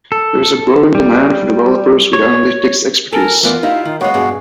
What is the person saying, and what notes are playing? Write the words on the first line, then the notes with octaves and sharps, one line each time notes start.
There is a growing demand for developers with analytics expertise.
A4
G3
C#5
A4 A#4 G#5
E3 B3 F4 A#4 D5
D#4 E4 G4 F5
D#3 D#4
G3 G#3 B3 F#4 C#5 F5
G2 B2 G#3 G#4